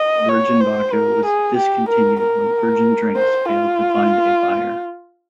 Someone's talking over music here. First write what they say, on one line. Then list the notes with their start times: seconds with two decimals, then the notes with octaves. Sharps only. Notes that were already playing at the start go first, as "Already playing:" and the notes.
Virgin Vodka was discontinued when Virgin Drinks failed to find a buyer.
Already playing: D#5
0.29 C#5
0.60 C5
0.93 A#4
1.25 G#4
1.56 G4
1.89 A#4
2.20 A#4
3.16 C5
3.48 F4